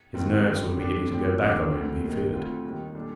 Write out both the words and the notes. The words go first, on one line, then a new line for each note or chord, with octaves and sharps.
His nerves were beginning to go back on him he feared.
D#2 D#3 G3 C4
G2 D3 F3 C4
D3 G3 D4
A2 F3 C4 G4
F2 C3 D#3 A#3 D4
D2 D3 A3 C4
D#2 D#3 A#3
D2 D3 A3 C4 F4
D#2 D#3 G3
A#2 G3 D4 A4